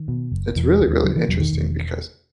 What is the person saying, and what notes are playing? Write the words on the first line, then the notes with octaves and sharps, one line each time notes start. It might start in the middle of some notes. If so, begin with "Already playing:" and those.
it's really, really interesting because,
Already playing: D#3
B2
F#1
E1 E3
D#2
C#3 F#3
E3
E1 F#3
D#3
E1